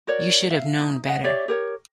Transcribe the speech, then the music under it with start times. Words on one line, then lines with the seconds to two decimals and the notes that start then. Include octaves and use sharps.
You should have known better.
0.07 F#4 A#4 C#5 D5
0.50 E5 F5
0.81 D#4
1.05 D#5 F#5
1.24 G4 C#5 D5 E5
1.48 G4 A#4 C#5